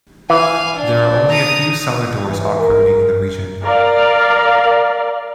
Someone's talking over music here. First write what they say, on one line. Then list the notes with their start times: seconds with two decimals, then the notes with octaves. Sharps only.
There are only a few cellar doors operating in the region.
0.30 E3 F5 G#5
0.75 D4
1.29 A#5 D#6
2.27 E3
2.60 A#4
3.63 A#4 D5 F5